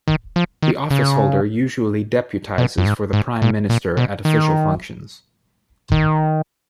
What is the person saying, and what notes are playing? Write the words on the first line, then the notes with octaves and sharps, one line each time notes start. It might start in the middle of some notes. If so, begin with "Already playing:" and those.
The officeholder usually deputises for the Prime Minister at official functions.
D#3
F3
D#3
C#3
B2
F#2
G#2
G#2
A#2
A#2
B2
D#3
D#3